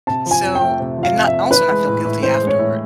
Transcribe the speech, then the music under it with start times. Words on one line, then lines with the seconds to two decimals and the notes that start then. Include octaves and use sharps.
so and not also not feel guilty afterward,
0.07 C3 A5
0.26 F3
0.31 G#5
0.43 F2
0.55 G5
0.61 A3
0.79 C3
0.98 F3
1.03 F5
1.15 F2
1.27 E5
1.34 A3
1.51 E3 B4
1.69 G#3
1.87 A2
2.05 A2
2.23 E3 C5
2.41 G#3
2.47 C#5
2.59 A2